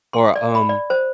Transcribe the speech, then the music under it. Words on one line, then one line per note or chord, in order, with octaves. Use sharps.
Or, um
C6
D5
B5
D5
C5